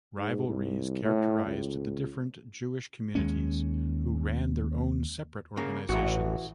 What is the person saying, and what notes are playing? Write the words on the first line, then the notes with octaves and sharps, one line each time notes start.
Rivalries characterized the different Jewish communities, who ran their own separate organizations.
G#2
C2
A2
C#2
D#2 G#3 C#4
C#3 A#3
A1 E3 F#4